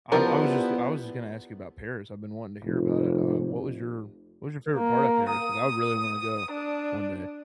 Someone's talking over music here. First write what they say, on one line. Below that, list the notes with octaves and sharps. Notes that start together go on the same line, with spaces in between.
I'm I was just I was just gonna ask you about Paris, I've been wanting to hear about it, uh, what was your what was your favorite part of Paris? 'Cause I really wanna go one day.
F3 B3 D4 E4 G4 A#4
F1
A#3
D#6
D4